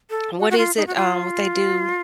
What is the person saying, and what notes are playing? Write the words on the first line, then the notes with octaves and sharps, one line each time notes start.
what is it? Um, what they do
A4
F#4
F#4
F4
D#4
F#4
F4